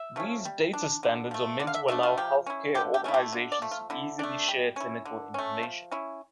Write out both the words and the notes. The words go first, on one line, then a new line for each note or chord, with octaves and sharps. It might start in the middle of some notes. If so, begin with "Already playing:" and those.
These data standards are meant to allow healthcare organizations to easily share clinical information.
Already playing: E5
F3 A3 C#4
G3
D4
D3
F3 A3
D3 D5
F5
E5
F3 A3 D4 E5
F4
F3 G4
C#4 E4
D3 G4
G4
A3 C#4 E4
G4
D3
D5
F3 A3
F4
D3 E4
A3 D4
G3
C#4 E4
D3
A3 C#4
F3
C#4 E4